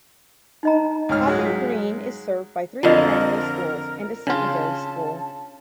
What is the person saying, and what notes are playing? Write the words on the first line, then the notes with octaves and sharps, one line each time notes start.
Haughton Green is served by three primary schools and a secondary school.
D#4 D#5 A#5
C#2 G#2 F6
F#3 G#3
C#5 F5
F2 D3 F3 F4 A#4 D#5
C#3 D4 F4 A5